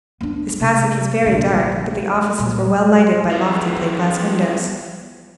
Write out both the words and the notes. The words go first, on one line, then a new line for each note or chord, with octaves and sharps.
This passage was very dark; but the offices were well lighted by lofty plate-glass windows.
B3 D4
C3
A#1 D3
A#2 G3
F3 B3